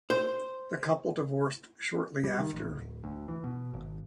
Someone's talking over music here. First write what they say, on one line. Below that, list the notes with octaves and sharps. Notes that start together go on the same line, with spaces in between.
The couple divorced shortly after.
C5
G3
D#3
A1
D1
D2
E3
B2
G#1